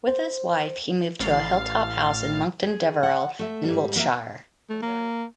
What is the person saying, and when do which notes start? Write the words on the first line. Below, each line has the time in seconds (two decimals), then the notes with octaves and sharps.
With his wife he moved to a hilltop house in Monkton Deverill in Wiltshire.
0.08 C5
1.20 A1 F5 A6 C7
2.62 G#4
3.03 F#5
3.39 A3 E5
3.64 G#2 G3
3.96 F#3 A#3 E5
4.70 A3
4.82 A#3